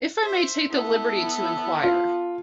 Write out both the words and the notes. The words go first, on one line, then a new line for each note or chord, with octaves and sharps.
If I may take the liberty to inquire.
C5 E5
B3 E4 A4
F4